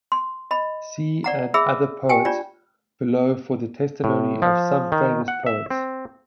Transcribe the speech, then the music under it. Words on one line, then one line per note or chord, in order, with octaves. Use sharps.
See and other poets below for the testimony of some famous poets.
C6
D#5 B5
D5 F#5 A#5
G#4 E5 B5 E6
G4 G5 G#5
D4 F4 D5
A2
F3
D#3
F#5
E5
C4